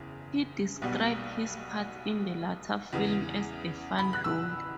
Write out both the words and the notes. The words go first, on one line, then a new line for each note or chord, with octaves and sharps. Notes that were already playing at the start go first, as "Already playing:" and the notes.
He described his part in the latter film as a "fun role".
Already playing: F#1 E2 C#3
B1 B2 G3 B3
E2 C#3 E3 B3
B5
F#6
E6